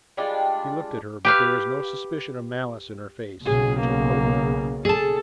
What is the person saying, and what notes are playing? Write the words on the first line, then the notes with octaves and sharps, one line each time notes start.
He looked at her, but there was no suspicion of malice in her face, and he took hope.
G3 G#3 D4 F4
G4 B4 F5
B1 C#3 G#4
A#3
G#4 A4 A5